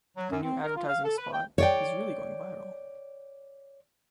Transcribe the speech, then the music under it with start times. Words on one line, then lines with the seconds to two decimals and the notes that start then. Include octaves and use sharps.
The new advertising spot is going really viral.
0.17 F#3
0.30 F#2
0.42 C4
0.63 A#4
0.77 F4
0.88 F5
1.05 A4
1.18 B4
1.33 G5
1.58 C#5 D5 G5